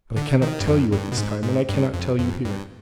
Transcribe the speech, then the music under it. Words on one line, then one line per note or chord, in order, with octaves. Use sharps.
But I cannot tell you at this time, and I cannot tell you here.
D3
D#3
G2
F2
G2
B2
G#2
G#2
G2
F2
F2
G2